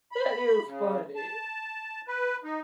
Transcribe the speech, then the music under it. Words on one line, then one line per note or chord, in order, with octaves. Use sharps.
That is funny.
B5
C#3
A5
B4
D#4